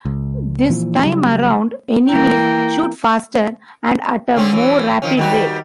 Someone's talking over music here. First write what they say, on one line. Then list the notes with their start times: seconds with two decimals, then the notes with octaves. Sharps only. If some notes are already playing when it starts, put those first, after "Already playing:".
This time around, enemies shoot faster and at a more rapid rate.
0.05 C#2
0.70 A#2 E3 F3
1.03 C#3 F#3 G3
2.09 E3 A#3 E4 G5 A#5
4.36 D3 C4 C#4
4.52 E3 F#3
5.02 D#3 F3 C#4
5.17 D#3 G3 F#4